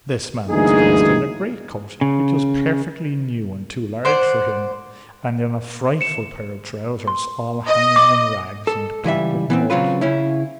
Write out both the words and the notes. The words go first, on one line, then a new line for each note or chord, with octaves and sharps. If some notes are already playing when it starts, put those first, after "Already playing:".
This man was dressed in a great-coat which was perfectly new and too large for him, and in a frightful pair of trousers all hanging in rags and black with mud.
D2 G2 E3 A#3 D#4 G#4
C#3
C5 D5 F#5
C#7 E7
C6
D#5
D6
A4
C#2 E3 G3 E5
E3 B3 C4
C#3 F#3 C4 F4 B4
C#3 C#4 E4